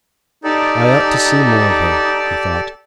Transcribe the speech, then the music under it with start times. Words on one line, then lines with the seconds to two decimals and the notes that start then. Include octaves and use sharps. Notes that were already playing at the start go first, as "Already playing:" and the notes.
"I ought to see more of her," he thought.
0.44 D#4 G4 A4 D5